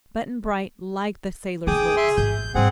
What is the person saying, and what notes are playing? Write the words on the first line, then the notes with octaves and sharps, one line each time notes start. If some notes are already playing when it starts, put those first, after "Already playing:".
Button-Bright liked the sailor's looks.
D3 D4 G#4 G5 D6 D#6
E5 C6
A1 G#2 G6
G#2 G3 C4 G#4 F#5